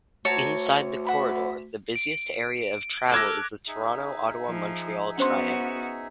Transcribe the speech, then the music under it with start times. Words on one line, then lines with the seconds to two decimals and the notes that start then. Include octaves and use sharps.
Inside the corridor, the busiest area of travel is the Toronto-Ottawa-Montreal triangle.
0.25 D2 F#4 C#5 A5 A#5
1.06 E5 F#5 B5
1.96 D7
3.12 A4 D6 F6 F#6 G#6 A#6 D7
3.68 D#4 G#4 E5
4.46 F3
5.18 B3 C#4 F#4 C5 C6